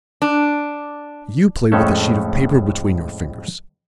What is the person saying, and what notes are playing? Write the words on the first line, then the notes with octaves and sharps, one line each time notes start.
You play with a sheet of paper between your fingers.
D4
F2 A2 G#3 A3 C#4 A4